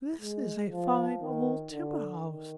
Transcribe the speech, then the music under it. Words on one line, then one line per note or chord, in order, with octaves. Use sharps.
This is a fine old timber-house.
G#3
F3
D#3
D3
D#3